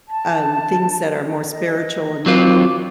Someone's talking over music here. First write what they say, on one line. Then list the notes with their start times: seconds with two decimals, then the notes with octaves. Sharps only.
um, things that are more spiritual and moving
0.08 A5
1.48 D#5
2.26 F#3 C4 F4 D6